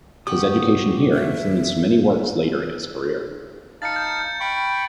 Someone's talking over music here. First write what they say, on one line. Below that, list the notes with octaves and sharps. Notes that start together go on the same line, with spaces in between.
His education here influenced many works later in his career.
F#4 G4 D#6
E5
D#4 F5 A5 A6 C#7
G6 C#7
G5 B5 C#6